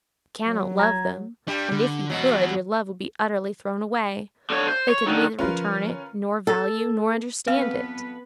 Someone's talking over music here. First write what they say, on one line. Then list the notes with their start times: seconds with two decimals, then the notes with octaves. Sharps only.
You cannot love them; and if you could, your love would be utterly thrown away: they could neither return it, nor value, nor understand it.
0.47 F#3
0.79 A#5 G#6
1.48 G3 D4 G4
1.72 D3
2.10 E2 B2 F#3 F#4
4.50 D3 C#5
4.68 C5
4.89 C#5
5.06 D3 D#3
5.39 D3 F3 C#4 F4 A#4 B4
6.47 A4
7.48 F2 B3 C4 B4 F5